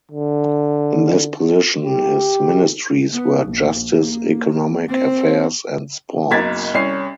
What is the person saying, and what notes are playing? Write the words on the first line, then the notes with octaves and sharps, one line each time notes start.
In this position his Ministries were Justice, Economic Affairs and Sports.
D3
G4
B3
A#1
A#3
C4
F#1 B1 A#4 G#6 A6 B6
C2 C#4 C7